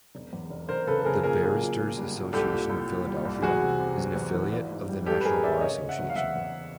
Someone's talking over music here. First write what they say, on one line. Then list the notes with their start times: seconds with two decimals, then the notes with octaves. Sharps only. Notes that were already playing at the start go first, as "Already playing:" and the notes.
The Barristers' Association of Philadelphia is an affiliate of the National Bar Association.
0.15 E1
0.33 E2
0.50 E1
0.69 E1 A#4 C5
0.87 C#3 A4 B4
1.02 A4
1.05 C#3 G#4 A#4
1.23 A#2 G#4 A#4
1.42 B1
1.61 A#2
1.79 A#2
1.97 G3
2.15 A#2
2.33 C2 G4 A4
2.52 A#2
2.69 C2
2.88 A#2
3.07 G3
3.25 C2
3.42 E2 F#4 G#4
3.61 C3
3.79 C3
3.98 E2
4.16 E2
4.34 E3
4.53 G#1
4.71 G#2
4.88 G3
5.06 G3 G4 A4
5.21 B4
5.25 G3 G#4 A#4
5.43 G#1 D5 E5
5.61 C#3 C#5 D#5
5.80 C#3
5.89 E5 F#5
5.99 E2
6.10 F5
6.16 E2 E5 F#5
6.35 E2